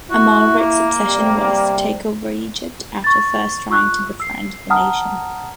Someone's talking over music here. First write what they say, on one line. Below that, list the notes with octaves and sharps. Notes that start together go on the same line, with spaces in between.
Amalric's obsession was to take over Egypt, after first trying to befriend the nation.
E4 F#4
A#3
C3 G3
C#6 A6
F4 C#6 E6 F#6
E6 C7
F#5 A5 A#5 D#6 F6